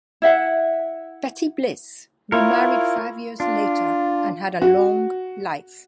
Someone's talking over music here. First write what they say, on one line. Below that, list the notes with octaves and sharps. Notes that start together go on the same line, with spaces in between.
Betty Bliss remarried five years later and had a long life.
E4 E5 F#5
E4 F4 A#4 C#5
D4 F4
F#4